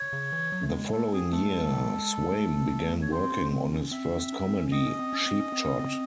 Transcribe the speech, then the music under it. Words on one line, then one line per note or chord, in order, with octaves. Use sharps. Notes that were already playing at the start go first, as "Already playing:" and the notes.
The following year, Swaim began working on his first comedy, "Cheap Shot".
Already playing: C#5
C#3
E3
F#3
A3
G#3
A3 A4
C4 G#4
A3 A4
G#3
A3
C#5
C4 C5
C#4
C4
C#4
C4 E5
C#4
C4
C#4
C4
C#4
C4 D#5
C#4
C4
C#4
C4
C#4
C4
C#4
C4